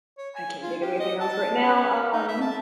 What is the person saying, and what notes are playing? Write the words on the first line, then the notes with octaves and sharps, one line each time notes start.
I can't think of anything else right now. Um,
C#5
G#5
F4
G4
D#5
A5
C#4
D#4
E5
A5